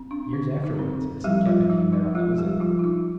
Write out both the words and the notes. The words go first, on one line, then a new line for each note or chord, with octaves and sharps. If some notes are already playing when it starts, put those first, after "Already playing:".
Years afterwards a Sea Captain came there on a visit.
Already playing: C4
D4
D3
D#4
C4
F3 G3 G4
F3 F4
F3 D#4
D#4
F3 G#3 F4
G3 G4
F3 F4
F4
D#4